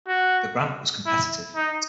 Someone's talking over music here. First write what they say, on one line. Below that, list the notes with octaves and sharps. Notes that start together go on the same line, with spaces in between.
The grant was competitive.
F#4
E4
D#4